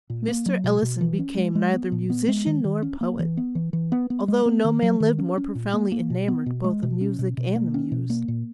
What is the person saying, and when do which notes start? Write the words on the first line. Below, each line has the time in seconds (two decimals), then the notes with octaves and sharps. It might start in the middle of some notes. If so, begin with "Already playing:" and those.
Mr. Ellison became neither musician nor poet; although no man lived more profoundly enamored both of Music and the Muse.
0.10 A#2
0.28 A#3
0.46 F#3
0.64 B2
0.82 B2
1.01 E3
1.19 C#4
1.37 G#3
1.55 G#3
1.74 B3
1.92 A#2
2.10 B3
2.28 G#3
2.46 D#3
2.65 D#3
2.82 C#4
3.01 A#3
3.19 E3
3.37 B3
3.55 E3
3.73 E3
3.92 B3
4.10 B3
4.28 G#3
4.46 B3
4.64 D#3
4.82 F#3
5.00 D#3
5.18 C#4
5.37 C#4
5.55 A#2
5.73 A#3
5.92 A#3
6.10 B2
6.28 B3
6.46 B2
6.64 G#3
6.83 B2
7.01 C#4
7.19 B2
7.37 B2
7.56 A#3
7.74 C#4
7.92 B2
8.10 A#3
8.28 A#2